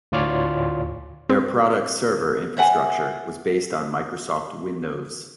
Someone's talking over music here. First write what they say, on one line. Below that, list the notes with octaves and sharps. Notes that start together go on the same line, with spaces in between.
Their product's server infrastructure was based on Microsoft Windows.
D2 A2 F4 C#5 D5 F6
C4
C5 E5 F#5 G#5